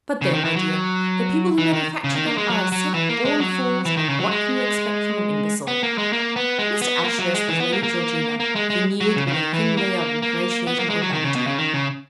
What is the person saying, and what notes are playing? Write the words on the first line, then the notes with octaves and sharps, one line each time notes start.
But, there, my dear; the people who manufacture them are a set of born fools, and what can you expect from an imbecile?' Mr. Ashurst was Lady Georgina, veneered with a thin layer of ingratiating urbanity.
C#3
D#3
E3
F#3
E3
D#3
C#3
D#3
A#3
G#3
F#3
F#3
E3
A#3
G#3
F#3
E3
D#3
C#3
F#3
G#3
B3
A#3
G#3
A#3
B3
G#3
B3
A#3
F#3
G#3
E3
B3
A#3
A#3
A#3
G#3
G#3
F#3
C#3
C#3
D#3
E3
A#3
A#3
B3
A#3
G#3
F#3
D#3
C#3
B2
C#3
D#3
C#3